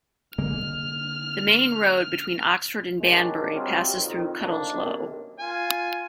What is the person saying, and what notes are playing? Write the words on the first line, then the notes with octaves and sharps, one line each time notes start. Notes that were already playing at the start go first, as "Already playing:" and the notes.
The main road between Oxford and Banbury passes through Cutteslowe.
D3 G#3 A#3 F6
F#3 G#3 A#3 C#4 D4 G4
C3 F#3 G3 C4 F4
F2 D#3
A2 D#3 F#3 A#3 D4
B1 F#2 C3 D#3 A#3
F4 G#5